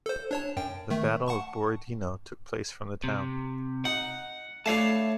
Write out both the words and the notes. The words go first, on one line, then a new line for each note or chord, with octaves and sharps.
The Battle of Borodino took place from the town.
A4 C5
D4 C#5 A5
F#2 G5
D#3 A3
F#5 A5 C#6
C3
D#4 F#5
A3 D4 E4 C#5 F5 A5